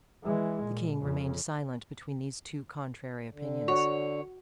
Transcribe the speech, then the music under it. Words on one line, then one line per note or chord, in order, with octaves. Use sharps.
The king remained silent between these two contrary opinions.
E3 G#3
A#2
F2 C#3
D3
F#4 C#5